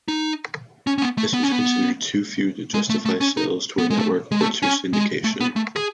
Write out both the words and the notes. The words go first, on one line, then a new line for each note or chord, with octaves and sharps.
This was considered too few to justify sales to a network or to syndication.
D#4
C#4
C#4
B3
A3
B3
C#4
B3
G#3
A3
A3
C#4
D#4
B3
G#3
A3
G#3
A3
C#4
G#3
A3
B3
A3
G#4